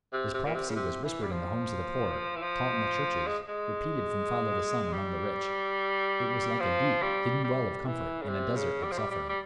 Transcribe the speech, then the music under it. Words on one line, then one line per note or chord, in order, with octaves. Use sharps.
This prophecy was whispered in the homes of the poor, taught in the churches, repeated from father to son among the rich; it was like a deep, hidden well of comfort in a desert of suffering.
C3
C3
A#2
C3
C#3
C3
E3
G3
F3
E3
F3
G#3
G#3
G3
F3
G3
G3
E3
C#3
C3
C#3
G3
F3
G3
G3
G3